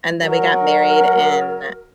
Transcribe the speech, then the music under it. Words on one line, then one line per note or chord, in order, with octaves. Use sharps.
and then we got married in
F#3 A#4